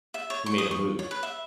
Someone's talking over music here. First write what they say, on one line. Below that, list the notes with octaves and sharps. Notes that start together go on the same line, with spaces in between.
He made a move.
E5
C#5
C#6
D#6
C#6
C#5
B4
E5